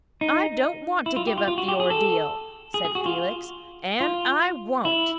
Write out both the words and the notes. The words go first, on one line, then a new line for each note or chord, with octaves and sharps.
"I don't want to give up the Ordeal," said Felix, "and I won't."
D#4
E4
F4
G4
F4
F4
F#4
G4
G#4
A4
G#4
G#4
F#4
F4
F4
E4